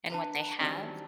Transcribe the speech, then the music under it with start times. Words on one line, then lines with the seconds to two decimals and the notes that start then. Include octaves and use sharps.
and what they have
0.10 D4 B4 A#5
0.60 D#3 E3 F#3 G3 C4 D4